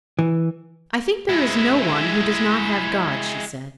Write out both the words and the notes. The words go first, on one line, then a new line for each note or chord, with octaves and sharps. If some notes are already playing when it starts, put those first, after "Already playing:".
"I think there is no one who does not have God," she said.
E3
G#3 E4